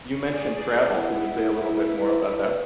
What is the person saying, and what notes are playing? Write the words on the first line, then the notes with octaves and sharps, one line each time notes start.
you mentioned travel, can you say a little bit more about that?
G#4 D5
B3 E4
B4